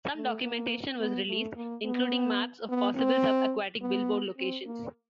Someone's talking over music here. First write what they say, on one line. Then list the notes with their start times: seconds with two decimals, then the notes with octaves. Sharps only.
Some documentation was released, including maps of possible sub-aquatic billboard locations.
0.16 A3
0.43 A#3
1.00 B3
1.28 A3
1.56 A#3
1.84 B3
2.69 B3
2.96 C4
3.81 B3
4.37 C4
4.66 A#3